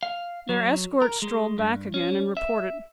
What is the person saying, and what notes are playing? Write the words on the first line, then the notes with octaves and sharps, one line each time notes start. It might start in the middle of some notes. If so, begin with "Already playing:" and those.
Their escort strolled back again, and reported.
F5
F#3
A#4
G#3
G2
C#4
E5